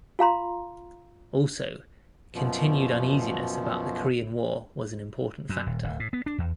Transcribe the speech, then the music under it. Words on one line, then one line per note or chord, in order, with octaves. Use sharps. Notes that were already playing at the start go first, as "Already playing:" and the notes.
Also, continued uneasiness about the Korean War was an important factor.
F4 F5 A#5 C6
F#2 B2 F3
F#2
D#1
D1
A2
B3
D4
E2